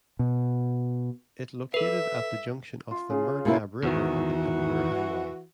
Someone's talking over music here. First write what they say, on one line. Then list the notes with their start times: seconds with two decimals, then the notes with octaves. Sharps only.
It located at the junction of the Murghab River and the Pamir Highway.
0.19 B2
1.74 A4 B4 E5
2.91 F4
3.10 C#3
3.45 B2 A#3 E4
3.83 E2 D#3 E3 F#4